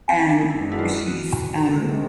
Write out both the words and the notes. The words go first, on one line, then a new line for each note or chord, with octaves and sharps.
and she's, um,
C4
C#4
D4
D#4
F#2 D#3 G#3 B3 D4 E4
E4
F4
F#4
A#4
C3 D#3 G#3 A4